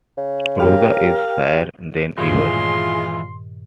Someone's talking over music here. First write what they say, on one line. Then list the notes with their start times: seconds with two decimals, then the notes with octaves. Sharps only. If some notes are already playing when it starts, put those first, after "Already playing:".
Rosa is shyer than ever.
0.18 C#3
0.60 G4 A#4 F5
2.18 G2 A#2 D#3 E3 G#3 F4 C#5 C6